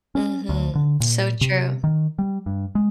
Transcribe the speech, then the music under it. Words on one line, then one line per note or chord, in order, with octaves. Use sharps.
Mhm, so true.
C#4
D2
D3
A#2
C3
D#3
G3
G2
G#3